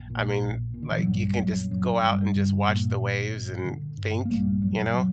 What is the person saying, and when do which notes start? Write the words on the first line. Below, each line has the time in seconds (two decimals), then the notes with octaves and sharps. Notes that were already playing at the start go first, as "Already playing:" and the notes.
I mean, like, you can just go out and just watch the waves and think, you know?
Already playing: A#1 F#2
0.10 A#2
0.42 A#1
0.74 A#2
0.83 D3
0.91 E3
0.99 F#3
1.06 A#1 G2 G3
1.39 F#2 A#2 F#3
1.71 G1 F#2 F#3
2.03 G1 G2 G3
2.35 G2 D3 G3
2.68 G2 A#2 A#3
3.00 G1
3.33 G1
3.65 D3
3.97 G2
4.25 A#3
4.29 A#1 G2 G3
4.62 F#2 A#2 F#3
4.94 F#3